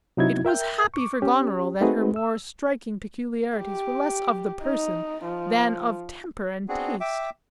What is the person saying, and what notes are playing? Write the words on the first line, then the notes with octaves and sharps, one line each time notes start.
It was happy for Goneril that her more striking peculiarities were less of the person than of temper and taste.
C3 F#3 D#4 E4 F#4 G#6
A#4 E5 G5 G6
C#6 D6
C#4 G4
A3 C4 D#4 F#4 G#4 B4
E6
G4
D#4
F3
B3 C4 D4 F#4 G#4
E5 G5 D6